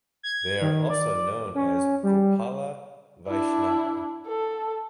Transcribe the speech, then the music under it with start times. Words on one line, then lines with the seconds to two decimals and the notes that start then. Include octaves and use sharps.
They are also known as Gopala Vaishnava.
0.23 G#6
0.61 D#3
0.90 D5
1.55 C#4
2.03 G3
3.27 D4 E4
4.27 A4